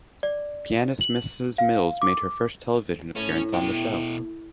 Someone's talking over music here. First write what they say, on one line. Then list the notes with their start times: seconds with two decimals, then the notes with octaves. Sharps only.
Pianist Mrs Mills made her first television appearance on the show.
0.23 D5
1.01 F#7
1.58 F5
2.02 D6
3.16 A2 C#4
3.53 B2 G5